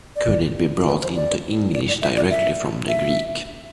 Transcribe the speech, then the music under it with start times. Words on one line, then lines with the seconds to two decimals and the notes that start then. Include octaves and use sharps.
Could it be brought into English directly from the Greek?
0.16 D5
0.87 B4
1.02 C5
1.16 D5
1.74 D5
1.88 D5
2.02 E5
2.16 D5
2.30 E5
2.88 E5